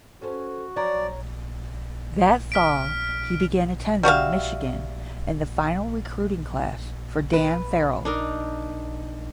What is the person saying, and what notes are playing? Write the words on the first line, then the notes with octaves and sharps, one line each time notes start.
That fall he began attending Michigan in the final recruiting class for Dan Farrell.
C#4 F#4 A4 C5
F3 F#3 D4 C#5 D5 A#5 D6
F6 B6 D7
G3 F#4 E5 F5
B4
D4 D#4 A#4